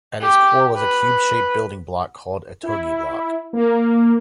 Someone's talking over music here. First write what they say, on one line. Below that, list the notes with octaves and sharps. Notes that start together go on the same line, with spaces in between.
At its core was a cube-shaped building block called a "Tog'l Block".
G4
B4
E4
A#3